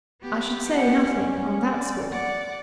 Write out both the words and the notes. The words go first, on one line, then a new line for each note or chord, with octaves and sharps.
"I should say nothing,--on that score."
B3 G4
F#5
C#4
D5
D5 F#5